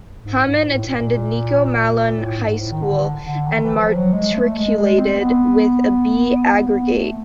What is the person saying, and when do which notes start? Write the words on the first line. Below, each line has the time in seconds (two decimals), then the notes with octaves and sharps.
Hamann attended Nico Malan High School, and Matriculated with a B aggregate.
0.24 G#2
0.45 G#2
0.66 A2
0.88 A#2
2.18 A2
2.39 G#2
2.61 A2
2.72 D#3
2.83 D3
3.25 D3
3.47 D#3
3.63 E3
3.79 F3
3.96 F#3
4.12 G#3
4.34 A3
4.56 G#3
4.77 G#3
4.98 C4
5.19 B3
6.66 A#3
6.71 B3
6.93 A3